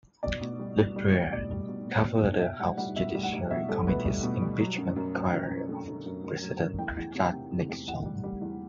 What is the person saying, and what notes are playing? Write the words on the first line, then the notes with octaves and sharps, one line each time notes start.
Lehrer covered the House Judiciary Committee's impeachment inquiry of President Richard Nixon.
B2 D5
B2
G3
G3
G3
G3
B2 D5
G3
B2
B2
B2
B2
B2 E5
G3 F#5
G3 F#5
B2 E5
G3
F#5
G3
B2 E5
G3 A4
B2 B4
G3
B2
G3
F#3
F#2
F#2
F#3
F#2
F#2
D3
D3
F#2
F#2
F#3
F#2
E2 G5
E2
C3
C3
C3
E2
E2 F#5
G3
G3
E2